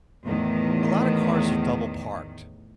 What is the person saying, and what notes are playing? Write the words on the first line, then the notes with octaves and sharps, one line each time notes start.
A lotta cars are double-parked.
E2 A2 D#3